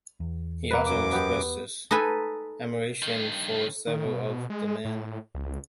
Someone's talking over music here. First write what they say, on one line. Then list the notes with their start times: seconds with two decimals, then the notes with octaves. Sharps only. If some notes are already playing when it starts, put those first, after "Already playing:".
He also expresses admiration for several of the men.
0.20 E2
0.71 A#3 B4
0.86 F#2 D6
1.12 B3 G4
1.91 D#4 A4 B4 G#5 B5
3.03 G2 D#3
3.87 D#3
4.05 B2
4.50 G#3
4.85 A2
5.35 C#2